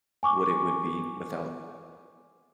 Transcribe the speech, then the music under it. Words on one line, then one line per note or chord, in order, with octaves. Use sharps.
what it would be, without,
G#5 C#6 D6